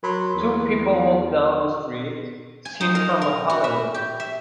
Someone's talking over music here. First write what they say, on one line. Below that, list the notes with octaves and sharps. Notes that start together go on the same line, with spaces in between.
Two people walk down the street, seen from a alleyway.
F#3 A#4 B5 C6
E2
G#5
D#4
A#4
A#4
F#4
E5
G4
E5